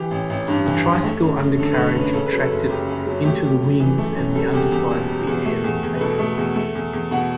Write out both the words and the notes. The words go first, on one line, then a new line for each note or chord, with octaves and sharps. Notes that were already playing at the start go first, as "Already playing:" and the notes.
The tricycle undercarriage retracted into the wings and the underside of the air intake.
Already playing: E3 G4
A1
A1
G2
E3
A1
A3
F#2
F#2
D3 A4
A3 B4
A4
F#2 B4
C#3 A4
B4
F#3
A4
F#1
F#2 G4
C#3
F#3
A3 G4
F#2 G4
F#2
E3
A3
F#2
G3 A4
E2 G4
E2 G4
B2
G3
E2
A3
E2
E2
B4
B2 A4
A3
E2
A3
E2
E2
B2 F#5